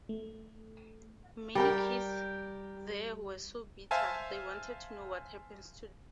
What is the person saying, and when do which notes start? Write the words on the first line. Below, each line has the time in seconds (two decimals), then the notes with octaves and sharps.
Many kids there were so bitter, they wanted to know what happened to them.
0.09 A3
1.55 G3 G4 A#4 G5
3.91 C5 E5 F5 G#5 A5